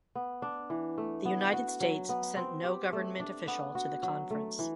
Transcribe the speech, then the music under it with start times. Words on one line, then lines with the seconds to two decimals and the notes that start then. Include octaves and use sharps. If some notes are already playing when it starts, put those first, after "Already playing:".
The United States sent no government official to the conference.
0.15 B3
0.42 D4
0.70 E3
0.98 A3
1.25 B3
1.53 F#4
1.81 F#3
2.09 B3
2.37 C4
2.64 G4
2.93 A3
3.20 D4
3.48 B3
3.75 F#4
4.03 F#3
4.31 A3
4.59 E3